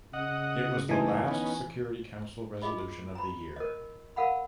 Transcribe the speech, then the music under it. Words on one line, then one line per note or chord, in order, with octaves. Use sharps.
It was the last Security Council resolution of the year.
C#3 D#5 F#5
G2 E3 A3 D#4 G#5
B3 C#4 D#4
F4 G#4 D#5 B5
A#5 B5
A#4 D#5
A#4 F5 F#5 B5